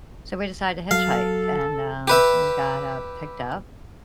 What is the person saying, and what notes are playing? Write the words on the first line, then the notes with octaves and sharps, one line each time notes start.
So we decided to hitchhike, and, um, we got, uh, picked up,
F#3 A4 F5
G4 B4 E5